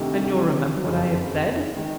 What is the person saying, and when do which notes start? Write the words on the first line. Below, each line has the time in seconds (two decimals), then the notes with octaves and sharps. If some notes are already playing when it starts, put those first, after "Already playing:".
"And you'll remember what I have said?"
Already playing: D2 C3 D#3
0.84 F#1 F2 C#3 F#3
1.76 D#3 G#3